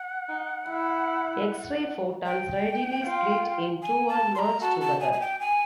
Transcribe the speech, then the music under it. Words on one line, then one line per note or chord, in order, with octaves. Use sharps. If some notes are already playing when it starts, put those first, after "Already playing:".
X-ray photons readily split in two or merge together.
Already playing: F#5
D#4
E4
G5
F4
G#5
A5
C6
A#5
F#4 A5
A5
G#5
G#5
G5
G#5